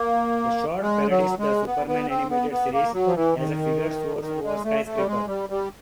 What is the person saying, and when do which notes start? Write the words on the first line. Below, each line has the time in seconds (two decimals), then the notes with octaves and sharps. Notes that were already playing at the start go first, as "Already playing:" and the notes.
The short parodies the Superman animated series as a figure soars over a skyscraper.
Already playing: A#3
0.81 G#3
1.09 F#3
1.39 G#3
1.66 B3
1.87 B3
2.09 C4
2.30 B3
2.51 B3
2.73 A#3
2.93 F#3
3.06 F3
3.15 E3
3.37 D#3
4.21 D#3
4.43 G#3
4.64 A3
4.85 A3
4.97 G3
5.07 G#3
5.27 G3
5.50 G3